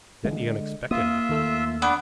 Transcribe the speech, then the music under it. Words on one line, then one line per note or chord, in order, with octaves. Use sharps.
Then the unexpected happened.
D3 G#3
A#3 F4 E5 D#6
D#2 A3 E6
B3 D4 D6